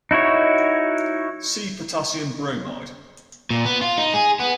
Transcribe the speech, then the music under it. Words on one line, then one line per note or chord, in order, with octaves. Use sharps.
See potassium bromide.
D#4 E4 F#4 C#5
A#2
B3
F4
D#4
G#4
B3